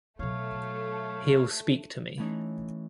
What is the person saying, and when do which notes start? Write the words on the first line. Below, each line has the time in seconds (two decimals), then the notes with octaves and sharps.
He’ll speak to me.
0.19 B2 F#3 A3 C#5 F5
2.17 E3 A3 C#4 D#4